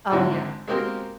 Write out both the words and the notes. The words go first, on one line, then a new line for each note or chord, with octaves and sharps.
Oh, yeah.
G#2 D3 C4 E4
G#3 A#3 C4 F#4 G4 A#4